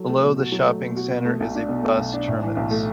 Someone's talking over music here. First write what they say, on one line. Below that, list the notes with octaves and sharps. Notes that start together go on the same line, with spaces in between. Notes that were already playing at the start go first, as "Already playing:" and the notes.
Below the shopping centre is a bus terminus.
Already playing: F#3 A4
A3
B2
F#4
F#3
A3
B2
F#4
B2
A3
B1
D4
B2
A3
B1
D4
A2
E3
B1
A3